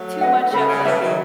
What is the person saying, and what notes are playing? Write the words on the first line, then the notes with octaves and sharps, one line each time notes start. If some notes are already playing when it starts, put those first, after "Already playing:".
too much of, like,
Already playing: F#3 A3
B4 D#5 F#5
C#3 A4 E5 B5
C#3
C#3 E3 B4 E5 A5
D#3 F#3